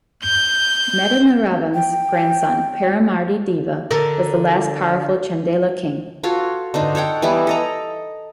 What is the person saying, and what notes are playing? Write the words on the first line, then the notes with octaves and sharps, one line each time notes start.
Madanavarman's grandson Paramardi-deva was the last powerful Chandela king.
G6
G5
D3 A4 A#4
F4 F#4 A4 C#5
D3 D4 D#4 C5
A4 C#5 F#5 G5
E3 G3 B3 E4
A4 D#5 A#5